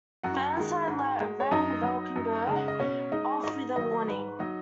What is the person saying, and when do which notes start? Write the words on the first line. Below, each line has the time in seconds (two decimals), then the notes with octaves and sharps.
Burnside let VanValkenburgh off with a warning.
0.23 F#2 F#4 F#5
0.56 D#3 G#3
0.88 G#2
1.20 G#3
1.40 C#5
1.51 F#2 D#4 D#5
1.83 F#3
2.16 F#2
2.47 C#3 G#3
2.56 F#5
2.68 D#5
2.80 B2 C#4 C#5
3.12 G#3 D#4 D#5
3.43 G#2 D#4 D#5
3.76 D#3 F#3 D#4 D#5
4.07 G#2 B4
4.39 F#3 D#4 D#5